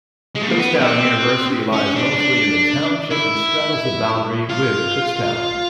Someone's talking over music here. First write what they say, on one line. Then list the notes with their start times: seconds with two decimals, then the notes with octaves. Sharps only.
Kutztown University lies mostly in the township and straddles the boundary with Kutztown.
0.35 G#3
0.42 A3
0.49 A#3
0.57 B3
0.80 C4
1.72 C#4
1.95 D4
2.19 D4
3.11 E4
4.50 F4